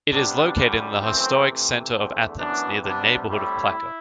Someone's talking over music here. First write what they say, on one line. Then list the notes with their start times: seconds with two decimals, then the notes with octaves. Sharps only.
It is located in the historic center of Athens, near the neighborhood of Plaka.
0.10 C3 G3 B3 D4
0.56 F#2 D3 G3
1.01 F#2 E3 A3 C4
1.47 C3 E3 A3 C4
1.92 E2 D3 A3 C4
2.37 F#2 E3 B3 D4
2.83 C3 G3 B3 D4
3.29 A2 G3 C4 E4